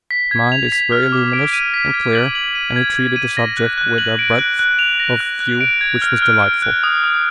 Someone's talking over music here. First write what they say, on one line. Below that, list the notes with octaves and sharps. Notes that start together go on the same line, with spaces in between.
His mind is very luminous and clear and he treated the subject with a breadth of view which was delightful.
B6
G#6
F7
B6
F6
D6
D7
D#7
B6
G#6
F#7
F#7
D#7
G#6
G#6
D#7
A#6
F#6
F#6
F#7
D7
F#6
F#6
F7
A#6
F#6
F#6
D7
G#6
F6
F6
D7
F#6
D#6
D#6